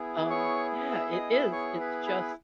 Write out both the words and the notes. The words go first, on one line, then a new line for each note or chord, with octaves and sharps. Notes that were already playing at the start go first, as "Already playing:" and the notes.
um yeah, it is, it's just,
Already playing: B3 E4 G#4
C#5 C#6
E5 E6
D#5 D#6
E5 E6
C#5 C#6
B4 B5
B4 B5